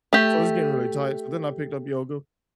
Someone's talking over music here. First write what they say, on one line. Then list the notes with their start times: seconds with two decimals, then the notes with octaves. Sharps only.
So, it's getting really tight so, then I picked up yoga
0.13 A3 G4